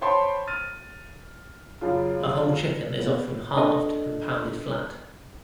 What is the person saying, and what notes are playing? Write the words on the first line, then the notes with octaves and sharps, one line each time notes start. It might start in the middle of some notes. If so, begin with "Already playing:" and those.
A whole chicken is often halved and pounded flat.
C5 C#5 G5 A5 B5 C6
F6 A6 D#7
F#2 C#3 F4
B3
D4 A4 D#5